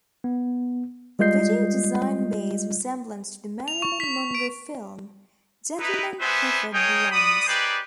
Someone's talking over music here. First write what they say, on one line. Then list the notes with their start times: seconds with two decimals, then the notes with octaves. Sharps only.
The video design bears resemblance to the Marilyn Monroe film "Gentlemen Prefer Blondes".
0.24 B3
1.19 G3 G#3 F4 D#5 G6 C7
3.68 F7
3.82 C#6
4.00 B6
4.35 D7
5.79 D#4 E4 B4
6.20 G3 B3 B4 C5 E5 G#5
6.73 D#4 G#4 A#4 C#5 G5 D#6
7.11 F#4 D5 B5 D#6
7.47 D#4 G4 G#4 B4 C5 D5